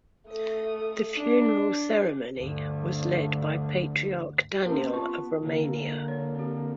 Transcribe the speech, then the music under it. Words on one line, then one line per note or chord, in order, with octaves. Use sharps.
The funeral ceremony was led by Patriarch Daniel of Romania.
A3 D#6
D4
D2 G2
A#3 C4 C#4 G4 A#4 C5
B3 F4 A5 C6
D3 A#3
C#5
C4 G4